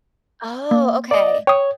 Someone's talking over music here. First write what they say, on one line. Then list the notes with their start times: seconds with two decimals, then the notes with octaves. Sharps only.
Oh, okay.
0.71 A#3
1.11 D5 D#5
1.47 C#5 G5 D#6